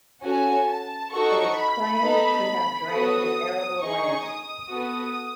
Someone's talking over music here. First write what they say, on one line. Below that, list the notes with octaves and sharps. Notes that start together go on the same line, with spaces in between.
It is claimed to have drained of arable land.
C#4 F#4 A4 G#5
A5
D#4 F#4 A4 C#6
B5
B3 D#4 A4
B3 F#4 A4 D#6
D#4 G#4 C#6
D#6
B3 F#4 A4